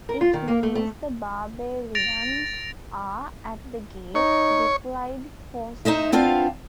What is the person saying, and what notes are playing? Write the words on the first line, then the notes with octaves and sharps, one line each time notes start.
"It means the barbarians are at the gates," replied Forstmann.
A#4
F4
D#3
A#3
A3
A3
A6 A#6 D7 F7
D#4 C#5
D#4 C5 D#5 E5
B3 C4 D4 F4 F5